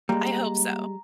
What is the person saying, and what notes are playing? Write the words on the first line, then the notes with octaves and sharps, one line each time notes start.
I hope so.
G3 G#3 A#3 A#5